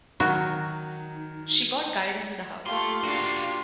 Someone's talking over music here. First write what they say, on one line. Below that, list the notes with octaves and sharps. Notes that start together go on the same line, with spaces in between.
She got guidance in the house.
D#3 F#3 D#4 F#4
A3 A#3 F4 G4 F5 C6
D4 F#4 F5